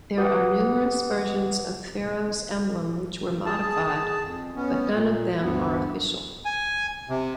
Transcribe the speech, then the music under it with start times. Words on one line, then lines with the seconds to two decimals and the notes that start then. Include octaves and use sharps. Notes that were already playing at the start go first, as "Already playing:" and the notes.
There are numerous versions of Ferro’s emblem which were modified, but non of them are official.
0.17 F#4 G4 B4 F#5 D#6
3.45 G#4 A5
4.23 F2
4.56 B3 C#4
4.93 A#2
5.41 D2 G2 B3
6.45 G#5
7.10 C3